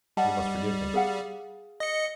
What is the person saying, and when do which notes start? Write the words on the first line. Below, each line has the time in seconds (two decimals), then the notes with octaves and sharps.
You must forgive me.
0.17 G3 D#5 F#5 A5
0.94 G#4 F5 F#5
1.80 D#5 C#7